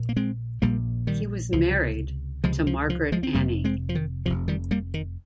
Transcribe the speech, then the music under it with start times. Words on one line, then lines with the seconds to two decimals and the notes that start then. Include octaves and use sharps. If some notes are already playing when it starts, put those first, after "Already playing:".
He was married, to Margaret Annie.
Already playing: A#1 A#2
0.09 A#3
0.17 G#3 C4
0.62 A#1 A#2 G3 A#3
1.07 D#3 G3
1.53 C#2 C3 F3
2.44 C#2 C3 F3 G#3
2.67 F3
2.90 F3
3.12 F3 G#3
3.23 C4
3.34 F1 F2 C3 G3 A#3
3.64 G#3 C4
3.89 F3
3.95 D#3
4.25 F1 F2 C3 F3
4.48 D#3 G3
4.71 G3 A#3
4.94 D#3